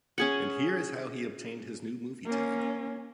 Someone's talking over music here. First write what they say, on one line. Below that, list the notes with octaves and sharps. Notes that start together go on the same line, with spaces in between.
And here is how he obtained his new movie tag.
C#4 G#4 F#5
A#3 C#4